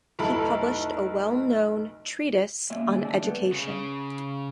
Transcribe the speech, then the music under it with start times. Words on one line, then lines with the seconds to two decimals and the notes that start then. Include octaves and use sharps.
He published a well-known treatise on education.
0.19 F1 B1 E4 A4 B5
2.70 A#3 C#4 F4 E5
2.86 D#3 D4 F4 G#4 D#5 G#5
2.97 D3 D#3 G#3 A3 C#4 D4
3.20 G3 A3 B3
3.53 C#3